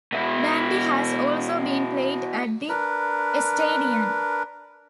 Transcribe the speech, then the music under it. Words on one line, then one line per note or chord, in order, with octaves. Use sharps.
Bandy has also been played at the Eisstadion.
B2 E4
D4 A#4 B4